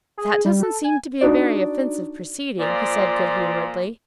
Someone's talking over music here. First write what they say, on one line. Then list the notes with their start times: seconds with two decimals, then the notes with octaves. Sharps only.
"That doesn't seem to be a very offensive proceeding," he said good-humouredly.
0.17 G#4
0.45 G3
0.63 A4
0.84 G#5
1.21 D4 D#4 F#4 D5
2.60 A#2 F3 D5